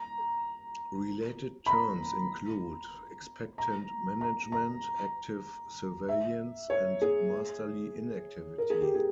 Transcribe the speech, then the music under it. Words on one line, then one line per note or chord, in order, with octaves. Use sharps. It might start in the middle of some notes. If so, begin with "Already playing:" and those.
Related terms include "expectant management", "active surveillance" and "masterly inactivity".
Already playing: A#5
B5
A#5
A#5
A#5
A#5
E5
C#5
G#4
A#4
G#4
G4
G#4